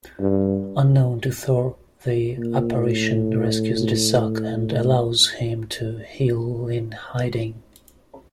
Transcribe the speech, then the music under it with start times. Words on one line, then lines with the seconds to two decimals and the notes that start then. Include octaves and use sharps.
Unknown to Thor, the apparition rescues Desak and allows him to heal in hiding.
0.20 G2
2.37 A#2
2.74 A2
4.56 A2